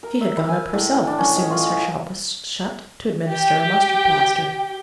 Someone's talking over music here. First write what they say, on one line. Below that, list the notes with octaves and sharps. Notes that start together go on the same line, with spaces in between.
She had gone up herself, as soon as her shop was shut, to administer a mustard-plaster.
A#4
E5
B5
G#5
A2
B5
D4
C#4
D#5
F4
G4 G5